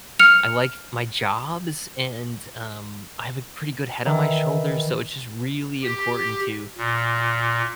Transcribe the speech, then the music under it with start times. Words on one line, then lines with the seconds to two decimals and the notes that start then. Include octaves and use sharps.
I like my jobs, and, um, I have a pretty good head on my shoulders, so it's just really important to
0.19 F6 C#7 F7
4.06 D#3 E3
5.83 G4
6.78 A#2